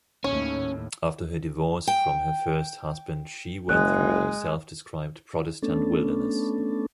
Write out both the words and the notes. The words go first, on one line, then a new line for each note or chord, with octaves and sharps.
After her divorce from her first husband, she went through a self-described "Protestant wilderness".
D#2 A2 C#4 C#5
G5
F#1 G#3 F#6
A3 B3 C#4 D4 A4